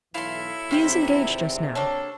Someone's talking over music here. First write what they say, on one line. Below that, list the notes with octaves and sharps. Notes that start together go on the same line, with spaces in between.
He is engaged just now.
B1 E3 E4 A4 C#5 F5 C6
G#1 E2 G2 C3 F4 G4 E5
A#3 D4 A4 C#5